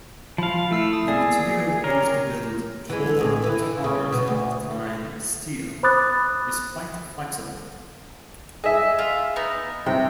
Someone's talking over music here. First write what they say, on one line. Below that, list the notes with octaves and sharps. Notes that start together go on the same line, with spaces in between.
The material used to build tall towers at the time, steel, is quite flexible.
F3 F5 B5
A3 E4 E6 C7
D#6
A#3 G#4 D5
G4 A#4 C#5
E3 G#3
A2 C3 G#4
E3 E4
C#3
B2
D2
C5 B5 D6 D#6 F#6 A6
G#4 D#5 E5
F4
B3 D#4
C3 G5